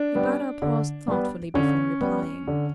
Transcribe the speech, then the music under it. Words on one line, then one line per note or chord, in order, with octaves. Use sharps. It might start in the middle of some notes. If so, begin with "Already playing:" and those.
Ibarra paused thoughtfully before replying.
Already playing: D4
G3 B3
D3
G3 B3
D3 C#4
G3 B3
D3